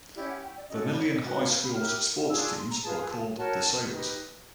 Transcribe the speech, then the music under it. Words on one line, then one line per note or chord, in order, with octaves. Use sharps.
Vermilion High School's sports teams are called the "Sailors".
C#4 E4 G4 D5
F#5
G5
D5
C#4 F#4 A4 D#5
D#5
C#5
D5
D#5
D#4 F#4 B4 E5
F5
F5
B5
E4 G4 A#4 F6
D4 F4 G#4 E6
E6
C6
A#5
F4 G#4 B4 A5
G#5
A5
F#4 A#4 C#5 A5
D#4 G4 B4